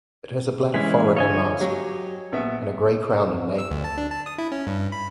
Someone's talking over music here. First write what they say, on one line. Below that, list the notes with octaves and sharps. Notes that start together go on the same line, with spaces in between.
It has a black forehead and mask and grey crown and nape.
E3 G#3 C#4 B6
D3 F4 C#5 D#5 G#5
F#3 G4
A#1 B3 E5
E6
D2
A5
D4
A5
D#6
E4
C#4
G2
B5